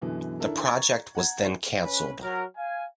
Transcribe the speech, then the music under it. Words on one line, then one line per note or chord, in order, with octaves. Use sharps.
The project was then cancelled.
F#2 B2 D3 E3
D#3 D4 E4 A4 A#4
A#5 C#6 G#6 A6
F#5 A#5 G#6
C#4 B4
F#3 A#4
F5 G#5